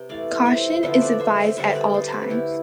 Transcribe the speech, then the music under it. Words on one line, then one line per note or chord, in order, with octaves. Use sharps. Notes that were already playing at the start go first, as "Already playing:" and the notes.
Caution is advised at all times.
Already playing: C3 B3 G5
E3 A3 D5 F5
C5 E5
D3 F3 B3 C5 E5
B4 D5
C5 E5
D3 G3 B3 C5 E5
B4 D5
A4 C5
G4 B4
D3 A3 E4 G4